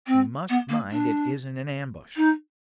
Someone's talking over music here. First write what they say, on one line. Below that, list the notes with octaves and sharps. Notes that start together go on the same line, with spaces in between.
We must mind it isn't an ambush.
C4
B3
A#3
D4
D#4